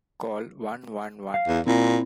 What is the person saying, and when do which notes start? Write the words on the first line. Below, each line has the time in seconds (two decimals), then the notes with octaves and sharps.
Call one one one.
1.34 F5
1.48 E2
1.67 A#2 C4 E4